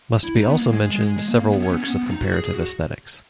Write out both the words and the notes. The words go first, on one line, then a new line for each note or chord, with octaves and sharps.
Must be also mentioned several works of comparative aesthetics.
E4
D#4
B3
A#3
G#3
G#3
G#3
A#3
A#3
B3
C#4
B3
C#4
B3
C#4
D#4
F#4
G#4
G#4
F#4